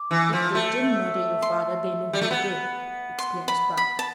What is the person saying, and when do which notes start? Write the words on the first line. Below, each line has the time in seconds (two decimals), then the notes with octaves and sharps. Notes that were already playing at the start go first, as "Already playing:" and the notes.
"If they didn't murder your father, they know who did!" exclaimed Spargo.
Already playing: D6
0.11 E3
0.33 F3
0.55 A3
1.42 C6
2.13 G3
2.21 A3
2.31 B3
3.19 C6
3.48 B5
3.77 B5
3.99 A5